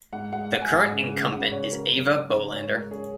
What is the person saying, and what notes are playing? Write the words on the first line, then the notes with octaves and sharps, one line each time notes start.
The current incumbent is Eva Bolander.
G#2 F#5
G#3 F#5
G#2 F#5
G#5
G#2 F#5
C#3
C#3
C#3 F#5
C#3 C#5
C#3 A#4
F#2
C#3
C#3
G#2 C#5
G#3 A#4
C#4 G#4